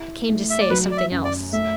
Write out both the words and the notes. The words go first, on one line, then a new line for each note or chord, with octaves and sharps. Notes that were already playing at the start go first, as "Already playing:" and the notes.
'I came to say something else.'
Already playing: E4
A3
E5
D5
F#3 B4
D5
E5
F#2
D5
A3 E5